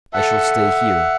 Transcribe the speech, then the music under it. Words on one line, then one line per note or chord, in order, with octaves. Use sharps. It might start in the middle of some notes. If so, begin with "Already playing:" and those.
I shall stay here.
A4 E5 F#5